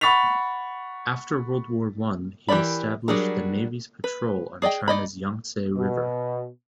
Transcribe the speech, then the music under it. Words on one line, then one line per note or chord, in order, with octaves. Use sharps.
After World War One, he established the Navy's patrol on China's Yangtze River.
F#5 B5 C#6 A6 B6 F7
E3 G4 A#4 D5 B5
F#3 G3 D4 G#4 A#4
B4
G#4 D5 D#5 G5
D#4 D5 D#5 B5
B2